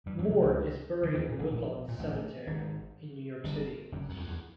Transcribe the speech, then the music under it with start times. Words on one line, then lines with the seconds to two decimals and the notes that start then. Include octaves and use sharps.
Moore is buried in Woodlawn Cemetery in New York City.
0.06 G2 G3
0.18 F#2 F#3
0.30 C2 C3
0.42 C#2 C#3
1.02 D2 D3
1.14 D#2 D#3
1.29 A#2
1.39 A1 A2
1.51 A#1 A#2
1.88 A#2
1.99 A1 A2
2.47 G#1 G#2
3.44 G1 G2
3.92 F#1 F#2
4.09 F#2
4.17 F2
4.28 E2